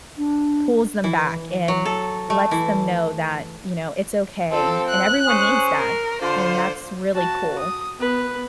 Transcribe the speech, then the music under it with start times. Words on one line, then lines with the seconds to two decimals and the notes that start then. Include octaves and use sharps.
pulls them back and lets them know that, you know, it's okay, and everyone needs that, and that's really cool.
0.18 D4
1.04 E3
1.68 F#3
1.85 A4
2.30 A3
2.51 E3
4.52 F3 C4 A4
4.89 F#6
5.27 C#4 G#4 C5
5.76 A#4
6.21 D3 F4 C5
7.13 F#4 A5
7.59 D#6
7.99 B3 B4